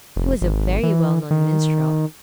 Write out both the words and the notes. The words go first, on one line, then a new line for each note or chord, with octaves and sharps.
He was a very well known minstrel.
F1
G#1
E3
D#3